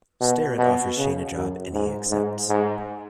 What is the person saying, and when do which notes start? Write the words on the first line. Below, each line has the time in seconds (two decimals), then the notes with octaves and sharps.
Starrett offers Shane a job, and he accepts.
0.21 B2
0.59 B2
0.97 C#3
1.35 F#2
1.73 G#2
2.10 G#2
2.49 G#2